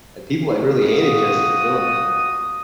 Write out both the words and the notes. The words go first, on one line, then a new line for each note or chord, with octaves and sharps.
like, people, uh, really hated Jesse for doing that, though.
F4 F#4 D#6